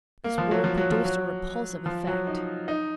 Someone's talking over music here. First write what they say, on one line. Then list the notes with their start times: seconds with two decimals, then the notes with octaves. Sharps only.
This word produced a repulsive effect.
0.24 A#3
0.38 F3
0.51 F#3
0.64 F3
0.77 F#3
0.91 F3
1.05 F#3
1.86 F3
2.07 F#3
2.27 D#4
2.68 D#4